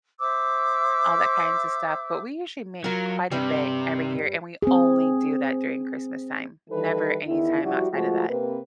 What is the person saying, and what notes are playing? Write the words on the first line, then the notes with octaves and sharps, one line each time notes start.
all that kinds of stuff, but we usually make quite a bit every year, and we only do that during Christmastime. Never any time outside of that.
C5 E5 D6 E6
F#3 F4 A#4
G2 C3 G3
C4 G#4
D#3 E3 G3 A4 B4
E2 D#3 E4
F3 G3 E4 F#4
F3 G#3 A3 F4 F#4
C3 A#3 C4 B4